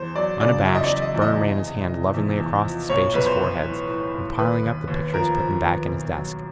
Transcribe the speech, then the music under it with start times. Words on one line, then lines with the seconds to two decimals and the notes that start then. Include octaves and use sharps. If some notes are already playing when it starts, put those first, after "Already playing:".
Unabashed, Burne ran his hand lovingly across the spacious foreheads, and piling up the pictures put them back in his desk.
Already playing: E2 C5
0.15 F#3 D5
0.40 C#3 D5
0.65 F#3 E5
0.75 D#5
0.84 D5
0.90 F#3
1.02 D#5
1.14 E2
1.22 D#5
1.40 E2
1.65 C3
1.89 C3
2.14 E2
2.40 E2
2.64 F3
2.89 B1 C#5
3.14 B1 B4
3.26 C5
3.39 B1
3.63 A2
3.89 A2
4.14 B1
4.38 D#2 B4
4.63 D#2
4.88 D#2
5.13 F3 A#4
5.38 F3
5.63 D#2
5.87 B1
6.12 F#3